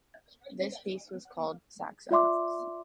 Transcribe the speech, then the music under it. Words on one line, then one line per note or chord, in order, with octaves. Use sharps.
This piece was called: Saxo.
F4 D5 E5 C6 D6